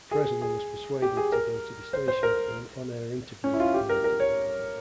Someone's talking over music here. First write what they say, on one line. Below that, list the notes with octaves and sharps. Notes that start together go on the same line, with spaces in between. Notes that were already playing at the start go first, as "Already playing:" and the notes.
Presley was persuaded to go to the station for an on-air interview that night.
G#4
G#4
G4
G#4
A#4
C5
C5
A#4
C#4
E4
F4
G4
A#4
A#4
C#5